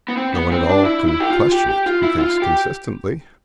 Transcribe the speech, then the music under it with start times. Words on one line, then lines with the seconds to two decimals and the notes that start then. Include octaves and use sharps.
'No one at all can question it who thinks consistently.'
0.08 B3
0.17 C4
0.34 B3
0.51 C4
0.69 D4
0.85 E4
1.08 E4
1.20 G4
1.30 F4
1.52 G4
1.69 G4
1.86 F4
2.03 E4
2.20 F4
2.42 G4